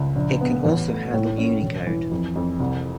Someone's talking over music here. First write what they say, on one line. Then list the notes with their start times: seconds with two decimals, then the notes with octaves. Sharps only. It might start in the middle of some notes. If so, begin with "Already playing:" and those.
It can also handle Unicode.
Already playing: C#2
0.16 A#1
0.41 B3
0.65 A1
0.89 A3
1.14 A2
1.38 C#4
1.63 E1
1.87 E3
2.11 F2
2.36 F2
2.60 C2